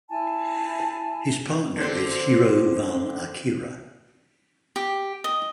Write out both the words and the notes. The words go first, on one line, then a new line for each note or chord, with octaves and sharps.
His partner is Hiro val Akira.
E4 G#5 A5
D3 C4
G4
D#5